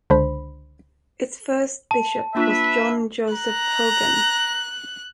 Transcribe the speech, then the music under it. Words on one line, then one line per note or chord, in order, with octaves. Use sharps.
Its first bishop was John Joseph Hogan.
C#2 D3 D4 C5 B5
A5
A#3 D4 F4 B4 E5
A#5 F#6